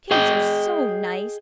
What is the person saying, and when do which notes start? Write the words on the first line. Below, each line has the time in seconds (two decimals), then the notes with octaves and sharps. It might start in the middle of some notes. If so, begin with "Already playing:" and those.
"Pigs are so nice!"
0.11 G#4 D#5 G5